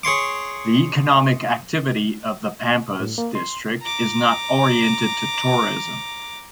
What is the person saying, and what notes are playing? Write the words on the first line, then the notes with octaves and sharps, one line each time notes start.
The economic activity of the Pampas district is not oriented to tourism.
G#4 C#5 C6 D6
A2
A#3
C6
A#5 D6